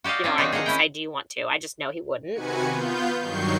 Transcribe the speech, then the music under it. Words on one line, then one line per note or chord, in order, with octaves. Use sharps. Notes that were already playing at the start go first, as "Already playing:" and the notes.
you know, I would say, "Do you want to?" I just know he wouldn't.
F#4 G4 D5 D#5 F5
C4 C#4 F4
D#3 F#3 C4 D4 D#4
G#4 D#5 F5 F#5 A#5
C#4 E4 G5
C3 D#3 F#4 B4 G#5 C#7
B3 F4 G6
G2 D#3 F#3 C#6 G6 C7